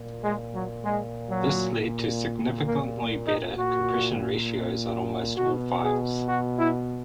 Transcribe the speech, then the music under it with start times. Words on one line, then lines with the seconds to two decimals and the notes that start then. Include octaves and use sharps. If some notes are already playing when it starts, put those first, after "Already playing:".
This led to significantly better compression ratios on almost all files.
Already playing: A#2
0.24 G#3
0.54 F#3
0.84 G#3
1.29 F#3
1.75 A#2
2.66 A#3
3.26 D#4
3.56 A#2 F#4
5.37 B2 F#4
5.83 G#4
6.28 F#4
6.58 E4